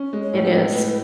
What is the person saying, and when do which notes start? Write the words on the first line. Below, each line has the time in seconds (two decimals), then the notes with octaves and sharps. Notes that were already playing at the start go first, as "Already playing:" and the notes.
It is.
Already playing: C#4
0.13 G#3
0.23 C#5
0.33 A2
0.54 G#3 B4
0.74 A2